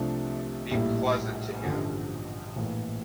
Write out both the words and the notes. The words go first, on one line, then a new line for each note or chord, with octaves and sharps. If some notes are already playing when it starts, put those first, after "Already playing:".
Be pleasant to him.
Already playing: C2 C3 F3 A3 D4
A#1 A2 G3 A#3 E4
A1 G2 D3 F3
A#1 A2 E3 A#3